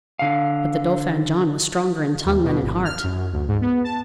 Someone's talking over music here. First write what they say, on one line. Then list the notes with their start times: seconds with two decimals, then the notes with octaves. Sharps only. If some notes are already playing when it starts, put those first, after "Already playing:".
But the Dauphin John was stronger in tongue than in heart.
0.19 D3 F5
2.25 D#2
2.44 B2
2.63 G#1
2.85 F6
3.03 F#2
3.32 D2
3.48 G#2
3.61 B3
3.84 A5